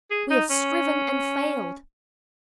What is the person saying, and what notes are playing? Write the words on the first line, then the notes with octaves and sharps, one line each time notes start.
We have striven and failed.
G#4
D#4
C#4